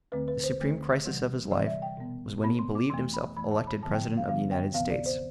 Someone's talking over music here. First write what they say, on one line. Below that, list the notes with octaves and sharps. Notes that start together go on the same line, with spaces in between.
The supreme crisis of his life was when he believed himself elected President of the United States.
D2 D3 A3 C4 B4
B4
C5
D2 D3 A3 C4
C3 E3 G3
C3 E3 G3 D5
E5
G5
B2 B3
B2 B3 B5
C6
D6
F2 E3 A3 C6
B5
F2 E3 A3 B5
A5
B5
G2 D3 F3 B3 A5
G5
F5
G2 D3 F3 B3 F5
G5
D2 C3 E3 B3 F5
D5
C5